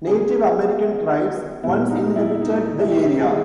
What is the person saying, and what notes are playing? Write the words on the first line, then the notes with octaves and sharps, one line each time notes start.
Native American tribes once inhabited the area.
C#3 G#3 B3 G#4
A#2 G3 B3 E4
D#4
E4
D#4
E4
G4
E4
D#3 G3 B3 G#4